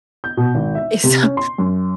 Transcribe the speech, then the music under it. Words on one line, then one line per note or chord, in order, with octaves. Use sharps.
Eh, some
G6
B2
G#1
E5
C3
C#4
C6
F#2